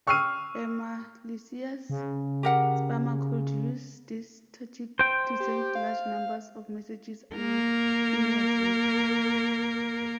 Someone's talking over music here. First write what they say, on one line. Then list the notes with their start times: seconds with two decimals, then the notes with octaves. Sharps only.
A malicious spammer could use this tactic to send large numbers of messages anonymously.
0.07 G5 C#6 E6 F6 C7 D#7
1.90 C#3
2.43 G4 A#4 F#5
4.99 C5 G5
5.40 G4
5.75 F5
7.35 A#3 A#4